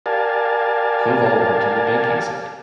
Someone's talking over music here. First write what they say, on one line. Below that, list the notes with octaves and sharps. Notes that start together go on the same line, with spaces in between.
Koval worked in the banking sector.
G4 A#4 D5 F5 G#5 A5